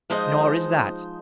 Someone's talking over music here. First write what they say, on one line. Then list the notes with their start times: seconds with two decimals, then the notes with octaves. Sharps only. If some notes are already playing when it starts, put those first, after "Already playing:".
"Nor is that."
0.10 F3 G#3 D#4 C5 D#5